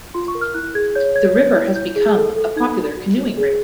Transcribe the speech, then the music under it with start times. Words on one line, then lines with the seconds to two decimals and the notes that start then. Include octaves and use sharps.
The river has become a popular canoeing route.
0.14 F4 C6
0.28 C#6
0.35 A#4
0.41 F6
0.54 E4 F#6
0.75 G#4 G#6
0.95 C#5 G6
1.15 C#5 G#6
1.35 C#5 G6
1.55 E4 G6
1.76 E4 G6
1.96 G#4
2.16 A4
2.36 A4
2.56 D#4 G#6
2.77 F#4
2.97 F#4
3.18 F#4
3.37 G#4